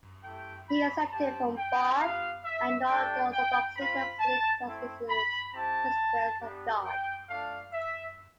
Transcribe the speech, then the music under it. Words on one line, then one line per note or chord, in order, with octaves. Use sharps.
He accepted from Barth and neo-orthodoxy the absolute transcendence of God.
A3 E4 G4 G5
B5
C4 G4 A5
G5
G3 B3 F4 F5
E5
A3 D4 G4 G5
G5
C4 F4 B5
A5
A3 C4 E4
B5
C4 E4 G4 A5
G3 B3 D4 G4
G5
A3 D4 F4 F5
E5